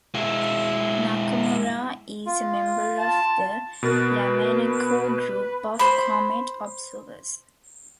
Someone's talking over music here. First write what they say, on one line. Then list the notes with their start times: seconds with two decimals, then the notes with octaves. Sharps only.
Nakamura is a member of the Yamaneko Group of Comet Observers.
0.15 G#3 E4
2.26 F4
2.99 A5
3.83 B2 A#4 B4 A6
5.79 C5 B5